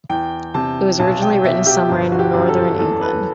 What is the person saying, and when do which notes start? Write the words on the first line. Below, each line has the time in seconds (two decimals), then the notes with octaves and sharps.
It was originally written somewhere in northern England.
0.09 E2 G5
0.54 C3 A5
0.99 B1 A5
1.22 G5
1.44 B2 E5
1.67 G4
1.89 G1
2.12 F#4
2.19 G4
2.34 F#2
2.49 A4
2.79 E2 A4
3.01 B4